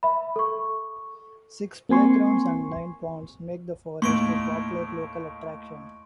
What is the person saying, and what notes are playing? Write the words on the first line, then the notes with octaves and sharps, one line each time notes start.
Six playgrounds and nine ponds make the forest a popular local attraction.
E5 B5
A4 C#6
A#3 C4 G#5 C6 C#6
D#2 A2 C6 C#6 D7